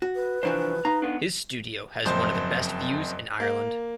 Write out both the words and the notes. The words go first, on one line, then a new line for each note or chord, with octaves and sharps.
His studio has one of the best views in Ireland.
F#4
B4
C2 E3 F3 D4 C5
D#4 F5 A#5
B3 D4
F#1 F2 C5
A#3